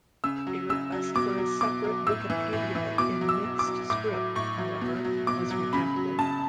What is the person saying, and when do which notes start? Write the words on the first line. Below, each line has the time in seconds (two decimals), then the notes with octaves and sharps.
A request for a separate Wikipedia in mixed script, however, was rejected.
0.24 C#3 E6
0.47 F#3
0.69 C#3 E6
0.92 F#3
1.15 B2 D6
1.38 F#3
1.61 B2 D6
1.84 F#3
2.07 A2 E6
2.30 E3
2.53 A2
2.75 E3
2.98 B2 D6
3.21 F#3
3.29 E6
3.44 B2
3.59 D6
3.67 F#3
3.90 A2 D6
4.13 F#3
4.35 A2 C#6
4.58 F#3
4.81 B2
5.05 F#3
5.27 B2 D6
5.50 F#3
5.73 C#3 B5
5.96 F#3
6.19 C#3 A5